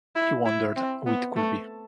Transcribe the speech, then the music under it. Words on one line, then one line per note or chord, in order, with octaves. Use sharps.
He wondered who it could be.
E4
E4
C4
B3
A3